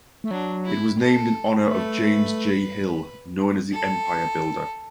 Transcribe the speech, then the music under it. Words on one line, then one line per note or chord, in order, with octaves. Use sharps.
It was named in honor of James J. Hill, known as the Empire Builder.
A3
F#3 D4
E4
A4
A3 B4
A4